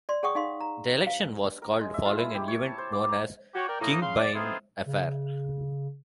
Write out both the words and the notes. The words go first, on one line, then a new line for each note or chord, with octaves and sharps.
The election was called following an event known as the King-Byng Affair.
D5 C6
G#4 C#5 F#5 G5 C#6 D#6
D#4 F5 C6
A#5
F5
A#4
G#3
E5
F4
E4
G4
C#5
A5
C5
D6
A#5
F#4 G4 C#5
A#4 D5 G5
A2 E3 A#3 B3 D#4
C#3 F5 C6
D5
A3 B3 C4 D#4 F4 G#4
C#3